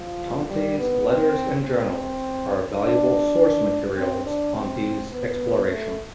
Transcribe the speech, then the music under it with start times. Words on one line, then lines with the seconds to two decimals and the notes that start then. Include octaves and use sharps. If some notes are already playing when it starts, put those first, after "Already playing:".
Tonti's letters and journals are valuable source materials on these explorations.
Already playing: F3
0.49 G3
0.78 B3
1.07 C4
1.65 C4
2.81 D4
3.97 C4
4.26 D4
4.54 C4
5.12 B3
5.71 A3